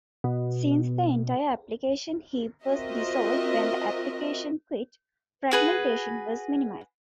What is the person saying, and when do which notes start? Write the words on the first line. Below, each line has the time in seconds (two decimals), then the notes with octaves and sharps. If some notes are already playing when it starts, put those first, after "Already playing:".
Since the entire application heap was dissolved when the application quit, fragmentation was minimized.
0.24 B2
2.64 C4 F4 F#4 A#4 D#5 E5
5.51 F#4 G#4 B4